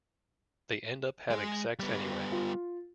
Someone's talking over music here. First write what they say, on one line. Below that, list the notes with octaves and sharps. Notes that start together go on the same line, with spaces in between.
They end up having sex, anyway.
G#3 G#4
G3 B3
F4